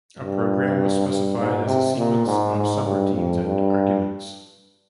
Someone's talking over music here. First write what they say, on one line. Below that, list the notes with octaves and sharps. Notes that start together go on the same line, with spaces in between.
A program was specified as a sequence of subroutines and arguments.
G2
G2
G#2
C3
A#2
G#2
G#2
G2
F2
G2